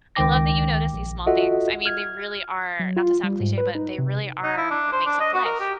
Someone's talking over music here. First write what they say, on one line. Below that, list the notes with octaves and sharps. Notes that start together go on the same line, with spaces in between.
I love that you notice these small things, I mean, they really are not to sound cliche, but they really are what makes up life.
C#2 D#3 G5 D6 A#6
A#1
F4 F#4 A4 D#5 E5 F#5
F6 G#6
F#3
F4
G3
G#2
B4
D#4
C3
D#4
E4
D4
C5
D4
D#5
F#4
A#4
G4